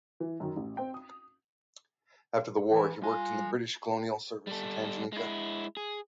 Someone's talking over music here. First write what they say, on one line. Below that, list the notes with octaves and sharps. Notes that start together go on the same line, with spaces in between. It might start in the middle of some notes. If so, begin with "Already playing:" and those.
After the war he worked in the British Colonial Service in Tanganyka.
E3
F#2 D#3
A1
C4 G5
D#6
E3
G3 F4 G#5
G3 A4
G#3 E4
G#4